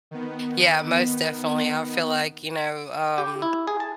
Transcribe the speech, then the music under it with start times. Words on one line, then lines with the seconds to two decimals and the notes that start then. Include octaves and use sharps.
Yeah, most definitely. I feel like, you know, um,
0.11 D#3 B3
3.18 G4
3.42 E4
3.67 G#4
3.80 A5